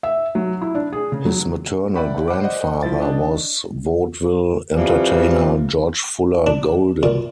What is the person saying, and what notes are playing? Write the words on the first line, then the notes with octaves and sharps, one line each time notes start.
His maternal grandfather was vaudeville entertainer George Fuller Golden.
E5
F#3
E4
D4
G#4
C#3
F#3
D5 E5 F#5 G5 B5
C5 F#5 B5 D6
C5 D5 D#5 F#5
F3 E4 A6
D4 D#5
F2 E3 F3 G3
D4
A#2